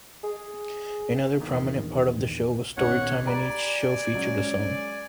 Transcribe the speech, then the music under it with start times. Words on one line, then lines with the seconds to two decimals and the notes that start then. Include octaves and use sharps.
Another prominent part of the show was story-time and each show featured a song.
0.24 G#4
1.40 E2 A#2 D3 D#3
2.77 D#1 B1 C#5 F#5
3.26 G4 D5 G#5 A#5 B5
4.13 F#3 G#3 C#4